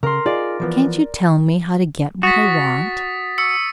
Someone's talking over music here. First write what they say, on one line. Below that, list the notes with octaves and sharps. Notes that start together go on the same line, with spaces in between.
"Can't you tell me how to get what I want?"
C#3 A#4 C6
D#4 F4 G#4 D5
E3 F3 B3
F#4 D#6 A6 B6
C#6 E6 C#7